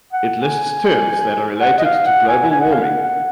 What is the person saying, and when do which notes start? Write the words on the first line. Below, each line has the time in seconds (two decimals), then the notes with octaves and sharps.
It lists terms that are related to global warming.
0.13 F#5
0.42 G#5
1.61 F#5
1.78 D#5
1.84 F5
2.06 F#5
2.29 G#5
2.51 G#5
2.61 F#5
2.70 F5
2.81 F#5